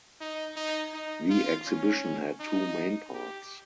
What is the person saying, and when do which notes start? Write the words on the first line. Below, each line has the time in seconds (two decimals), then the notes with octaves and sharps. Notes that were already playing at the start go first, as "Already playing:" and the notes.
The exhibition had two main parts.
0.21 D#4
0.56 D#4
0.94 D#4
1.30 F4
1.67 C#4
2.40 D#4
3.14 G4